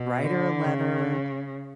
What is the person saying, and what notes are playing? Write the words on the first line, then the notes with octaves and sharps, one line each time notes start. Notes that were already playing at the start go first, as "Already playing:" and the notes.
write her a letter,
Already playing: B2
D3
C#3